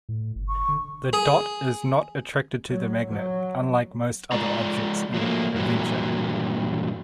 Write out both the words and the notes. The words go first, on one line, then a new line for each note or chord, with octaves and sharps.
The dot is not attracted to the magnet, unlike most other objects in "Adventure".
A2
G1
C#6
D3
G#4
F#3
F#3
G#3 F4 D5 A#5
F3 F#3 A3 A#3
G2 A#2 E3 F#3